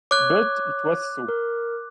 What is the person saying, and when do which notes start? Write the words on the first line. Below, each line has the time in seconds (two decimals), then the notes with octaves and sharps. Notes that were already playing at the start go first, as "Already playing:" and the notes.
But it was so.
0.11 C#5 D6 F#6
1.29 A#4